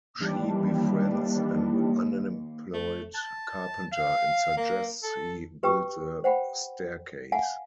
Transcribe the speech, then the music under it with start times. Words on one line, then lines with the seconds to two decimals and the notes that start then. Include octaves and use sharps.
She befriends an unemployed carpenter and suggests he build the staircase.
0.20 D#2 E3 G3 D4
2.74 A3
3.14 A5
3.92 F5
4.57 A#3
5.03 A4
5.63 G4 B4 G5 C#6 D#6
6.24 C5 F#5 G5 B5
7.32 F5 F#5 G#5 A5